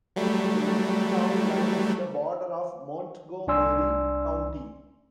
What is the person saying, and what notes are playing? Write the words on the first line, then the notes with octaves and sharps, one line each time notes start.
The east town line is the border of Montgomery County.
F#3 G3 A3
C2 D4 D5 G#5 C6 E6